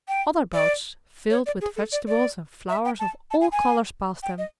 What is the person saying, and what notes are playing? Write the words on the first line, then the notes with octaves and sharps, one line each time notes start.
Other boats filled with vegetables and flowers of all colors passed them.
G5
D5
C#5
D5
G#4
A4
D5
D5
E5
G5
A5
A5
G#5
G#5
G5
D#5